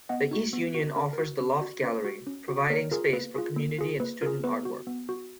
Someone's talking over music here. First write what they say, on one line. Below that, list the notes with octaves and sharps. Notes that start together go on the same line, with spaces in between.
The East Union offers the Loft Gallery, providing space for community and student artwork.
B3 D#5 F#5
D#4 F#4
B3
D#4 F#4
C#4 A#4
F#4 A#4
C#4
F#4
C#4 B4
F#4
C#4
F#4
A#3 A#4 C#5
F4 G#4 A#4
A#3 B4
F4 G#4
A#3
F4 G#4
A#3 B4
F4 G#4 A#4
B3 B4
F#4
B3
F#4